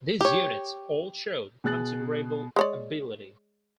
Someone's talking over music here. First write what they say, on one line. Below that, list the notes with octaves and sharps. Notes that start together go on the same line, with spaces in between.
These units all showed considerable ability.
G4 C#5
B2 G#4 F#6 A6 F#7
G#3 C#5 D5